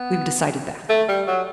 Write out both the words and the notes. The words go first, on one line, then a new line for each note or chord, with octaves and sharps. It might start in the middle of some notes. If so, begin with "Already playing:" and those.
We've decided that.
Already playing: B3
A3
G3
F#3